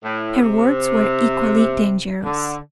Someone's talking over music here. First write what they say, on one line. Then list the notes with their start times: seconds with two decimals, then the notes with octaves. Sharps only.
Her words were equally dangerous.
0.03 A2
0.40 C3
2.24 D3